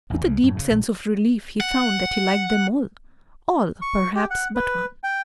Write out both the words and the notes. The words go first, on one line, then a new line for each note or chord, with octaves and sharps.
With a deep sense of relief he found that he liked them all. All, perhaps, but one.
A1 E2 A3
C2 C#3
F#2 A2
C#3
A#1
F#5
C#6
G4
F#5
B4
G5